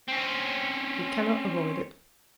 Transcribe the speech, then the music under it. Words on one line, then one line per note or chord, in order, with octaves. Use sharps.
You cannot avoid it.
C4 C#4